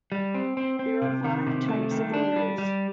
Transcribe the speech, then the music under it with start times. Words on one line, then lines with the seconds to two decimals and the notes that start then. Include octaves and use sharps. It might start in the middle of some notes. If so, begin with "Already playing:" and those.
There are five types of orders.
0.12 G3
0.34 C4
0.57 C4
0.79 C4
1.02 C3
1.24 D#3
1.47 C3
1.69 A3
1.91 D#3
2.14 D4
2.36 G3
2.58 G3